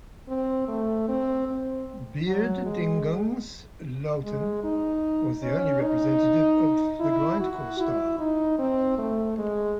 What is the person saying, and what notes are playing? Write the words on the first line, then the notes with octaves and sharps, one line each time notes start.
Beerdingungs Lauten was the only representative of grindcore style.
C4
A3
C4
C4
F#3
G#3
G#3
D#4
C#4
D#4
E4
F#4
E4
D#4
C4
A3
G#3